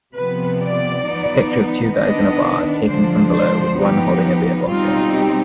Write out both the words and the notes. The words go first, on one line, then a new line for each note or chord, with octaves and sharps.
A picture of two guys in a bar taken from below with one holding a beer bottle.
C3 F3 B3 B4
D5
F3 B3 D#4
D#3 B3 D4 D#5
D3 F3 G#3 D4 C5
C5
F3 B3 D#4 G4
B2 G3 C4 D#4 F4
G4